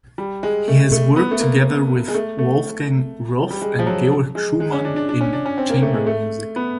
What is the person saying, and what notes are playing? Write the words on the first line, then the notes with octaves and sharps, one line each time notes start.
He has worked together with Wolfgang Ruoff and Georg Schumann in chamber music.
G3
G#3
A3
A3
B3
A3
A#3
G#3
A3
A3
G3
G#3
F3
F#3
G#3
G#3
C#4
D4
D4
D4
C#4
D4
C#4
C4
A#3
A3
G#3
A3
B3